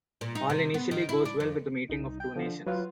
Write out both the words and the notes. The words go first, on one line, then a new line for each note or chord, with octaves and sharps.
All initially goes well with the meeting of two nations.
A#2
D#4
C3
B3
D#3
E4
D4
F2
C2 D#4
G5
D3 F3
F#3 F4 B4